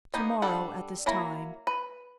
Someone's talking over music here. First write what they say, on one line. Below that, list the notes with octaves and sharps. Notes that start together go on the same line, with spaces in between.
"To-morrow, at this time."
A#3 B3 D#4 G4
G3 D4 A4 D5 F#5
F#3 A#3 E4 A#5 B5
B4